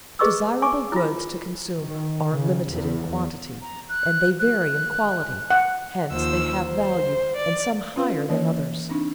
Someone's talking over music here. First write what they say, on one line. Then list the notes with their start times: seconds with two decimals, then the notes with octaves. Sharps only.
Desirable goods to consume are limited in quantity, and they vary in quality; hence they have value and some higher than others.
0.19 G#4 B4 D#5 C#6 D6 E6
0.62 G#5 C#6 D6
0.92 E4 F4
1.81 D#3
2.32 C#3
2.69 E2
3.61 A#5
3.89 F#6
4.39 F#6
5.50 F#5
6.10 D#2 F3 C5 E6
6.68 C5
7.37 D5
7.96 C#4 F4 B4 F5
8.29 E3 A#3 C#5
8.89 C4 D4 D#4